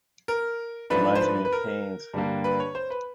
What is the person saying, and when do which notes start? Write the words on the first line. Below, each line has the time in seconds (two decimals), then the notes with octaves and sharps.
Reminds me of Cannes.
0.28 A#4
0.90 G#2 F3 A3 D4 B4
1.15 C5
1.22 B4
1.45 B4
1.53 A#4
2.14 G2 D3 G3 A#3
2.44 B4
2.60 C#5
2.75 C5
2.90 B4